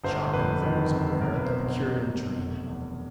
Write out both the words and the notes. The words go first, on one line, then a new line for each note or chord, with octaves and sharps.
Shopping with her was a rare, epicurean dream.
G1 C5
F2 B4
D#3 B4
C3
B1 A#4
B4
C5
B2 B4
C5
B2 A#4
B1
F1
E2